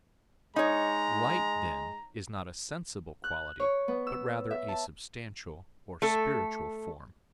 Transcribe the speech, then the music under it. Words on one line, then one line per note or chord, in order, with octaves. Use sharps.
Light, then, is not a sensible quality, but rather a substantial or spiritual form.
G#3 D#4 C#5 A#5
F#6
C#5
B3
E6
E5
A5
A3 A4